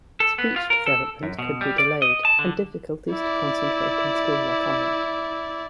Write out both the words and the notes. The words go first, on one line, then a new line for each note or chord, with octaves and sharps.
Speech development could be delayed and difficulties to concentrate in school are common.
A4
B3
F4
A#4
A4
F#2
B2
G3
D5
D#5
A5
D3
E4 D5